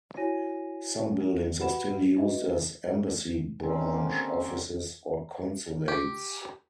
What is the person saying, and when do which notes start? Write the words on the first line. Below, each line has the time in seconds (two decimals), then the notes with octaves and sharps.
Some buildings are still used as embassy branch offices or consulates.
0.17 E4 F#4 C#5 G#5 A#6 D#7
1.59 F#4 G4 B4 F#5 B5 E7
2.16 D#4 F#4 B4 D#5 E5
3.61 D3 D#3 G3 A#3 C4 C#4
5.88 G4